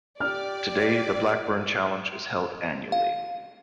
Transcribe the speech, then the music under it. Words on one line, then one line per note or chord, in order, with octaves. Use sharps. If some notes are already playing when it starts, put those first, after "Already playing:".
Today, the Blackburn Challenge is held annually.
G4 D5 F6
F5